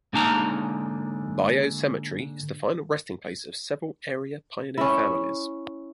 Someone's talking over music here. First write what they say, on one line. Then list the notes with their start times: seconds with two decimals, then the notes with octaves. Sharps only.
Bayou Cemetery is the final resting place of several area pioneer families.
0.13 G#2 D3 A#3 D#4 A5 A#5
4.77 C#4 E4